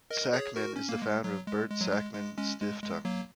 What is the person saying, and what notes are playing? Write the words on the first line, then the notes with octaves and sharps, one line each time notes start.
Sakmann is the founder of the Bert-Sakmann-Stiftung.
A#4 D#5
G#4 C#5
F#4 A#4
C#4
A#3
G#3
F#3
G#3
G#3
F#3
G#3
G#3
G#3 C#4
G#3
G#3
F#3 A#3